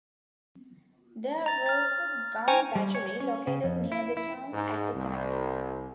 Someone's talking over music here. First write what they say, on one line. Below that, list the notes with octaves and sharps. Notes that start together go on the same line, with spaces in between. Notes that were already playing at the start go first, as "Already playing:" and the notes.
There was a gun battery located near the town at the time.
A#5 A6
F6 A6
C5 G5 G#5 A#5 C#6
G3
C#5
C#4
C#3
F2
E4
E4
G#2
C2